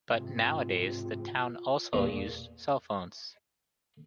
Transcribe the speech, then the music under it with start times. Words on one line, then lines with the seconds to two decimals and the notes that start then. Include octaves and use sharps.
But nowadays the town also used cellphones.
0.14 G#2 C3 F4
1.93 E2 A#2